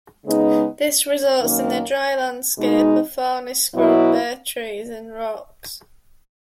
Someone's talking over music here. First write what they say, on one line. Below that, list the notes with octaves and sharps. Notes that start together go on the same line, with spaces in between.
This results in a dry landscape of thorny scrub, bare trees and rocks.
C#3 G#3 B3 D#4
F#2 D#3 A#3
B2 G#3 D#4
B2 F#3 B3 E4